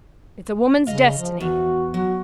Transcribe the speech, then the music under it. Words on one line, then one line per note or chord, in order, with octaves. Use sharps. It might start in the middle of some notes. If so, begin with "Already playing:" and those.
It's a woman's destiny.
C#3 D#5 F5
F3
E2 F#4
F#3 F#4